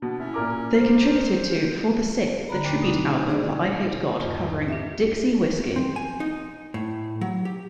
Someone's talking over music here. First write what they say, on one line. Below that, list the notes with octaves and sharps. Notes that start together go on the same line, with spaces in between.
They contributed to "For the Sick", the tribute album for Eyehategod, covering "Dixie Whiskey".
B2 D4
C#4 E4
A#2 A#4 D6
C5
D3 D5 A#5 B5
D#2 A#2 D3 A3
B2 F#3 C4 D4 D#4 F#4
G#4 C5 D5 D#5
E2 G#2 F4 D#5 A5
D4 G4 E5
C4
G#5
D#4
A2
F#3
G4